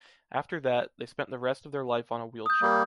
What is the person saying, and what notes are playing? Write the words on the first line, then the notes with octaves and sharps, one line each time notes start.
After that, they spent the rest of their life on a wheelchair.
D#6 G6
G3 A#3